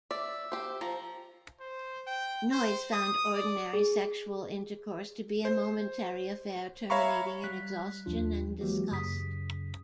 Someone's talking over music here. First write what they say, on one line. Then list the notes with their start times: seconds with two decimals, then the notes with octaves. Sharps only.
Noyes found ordinary sexual intercourse to be:a momentary affair, terminating in exhaustion and disgust.
0.11 D5 E5
0.52 G4 C5
0.81 F3 A#5
1.60 C5
2.07 G5
2.51 C5
2.93 D#6
3.34 D5
3.73 G#4
5.45 C5
6.90 C#5 E5 F5 A#5 B5 C#6
7.44 G3 F#6 B6
8.06 D#2 F3 D4 F4
8.61 E3 F#3 G#3 A#3 F#4 G4
8.91 F#2 C#3 D#6 B6